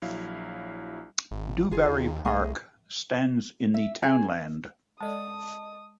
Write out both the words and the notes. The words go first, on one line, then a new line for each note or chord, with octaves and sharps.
Dubarry Park stands in the townland.
A#1 F#3 E4 F5
G#1
F#1 F4 G#4 A#5
D#2
C2 A3 G#4 D#5
E5
G#4
G#3 A4 D5 D#5 A5 D#6